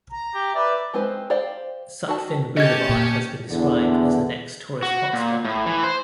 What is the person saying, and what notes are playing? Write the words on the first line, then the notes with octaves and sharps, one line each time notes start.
Sutphin Boulevard has been described as the next tourist hot spot.
A#5
G4
B4 D5 E5
G#3 C4 G4 B4 C5
G4 C5 D5 F5 G5
D#3 F#4 A4 D5 A5
C#4 G4 D#5 A5 G#6
A#2
E2 D3
F#4
A#2
A2
E3
C5